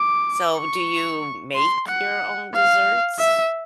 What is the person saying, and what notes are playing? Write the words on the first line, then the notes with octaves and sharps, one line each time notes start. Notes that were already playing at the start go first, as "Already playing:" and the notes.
So, do you make your own desserts?
Already playing: D6
C#6
C6
F#5
F5
E5